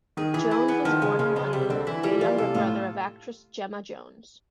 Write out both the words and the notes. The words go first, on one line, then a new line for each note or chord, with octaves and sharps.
Jones was born in London, the younger brother of actress Gemma Jones.
D#3 G#4
E3 G#4
E4
B3
D#3 F3
C#3 G#3
C#3 F3
C#3 G#3
C3 G3
D3 C4
E3 E4
F3 G3
E3 F4
C3 A4
A2 F4